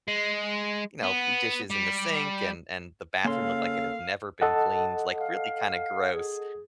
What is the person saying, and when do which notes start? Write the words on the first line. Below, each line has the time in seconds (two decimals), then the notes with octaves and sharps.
you know, dishes in the sink and and the bathroom looked like it had never been cleaned, like really kinda gross.
0.08 G#3
1.04 B3
1.71 G3
3.25 C#3 A#3 A4 F5 C6
4.42 A4 D#5 F#5 A5
5.20 F5
6.13 G#4